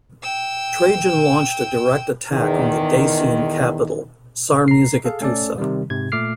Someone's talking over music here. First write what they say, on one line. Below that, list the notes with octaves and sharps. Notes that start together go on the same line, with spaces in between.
Trajan launched a direct attack on the Dacian capital, Sarmizegetusa.
G5 E6
E2 D#3
A#5 C7
G#4 A4 F5
A3 C#4 A4 D5
C3 D#3 G3
G#2 C3 G#6
A#2 A3 D6 F6 C7